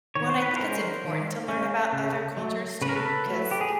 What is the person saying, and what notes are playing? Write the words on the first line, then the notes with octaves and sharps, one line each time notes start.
When I think it's important to learn about other cultures too, 'cause,
D#3 C#5
C5
B4
G#3 C#4 A#4 C5
D#3
G#3 C#4
C#3
F#3 A3
C#3 B4
A#4
A4 B4
F#3 A3
G4
G#4